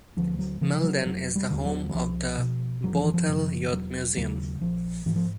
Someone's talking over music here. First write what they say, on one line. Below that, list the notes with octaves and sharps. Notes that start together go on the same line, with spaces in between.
Malden is the home of the Bootheel Youth Museum.
D2 F3
F#3
C#3 F3
F#3
F1 F#3
G3
D#2 D3
F#3
F#3
C2 F3
B2
F#1 F#3
F3
E3
F3
F#2 C#3
E1 F#3
D#2 C#3 F#3
A#1 F3
G#2 E3
F3